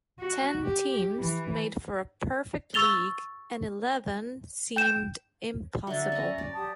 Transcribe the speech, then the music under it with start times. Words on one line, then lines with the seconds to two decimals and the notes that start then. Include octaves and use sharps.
Ten teams made for a perfect league and eleven seemed impossible.
0.20 F#4
0.63 G4
1.18 E3
2.74 C#6 E6 A6 F7 G7
4.76 G5 G6 E7
5.87 D3 F#3 D5 E5
6.12 C#4 G#5 A#5
6.38 D5
6.54 G4 A5 D#6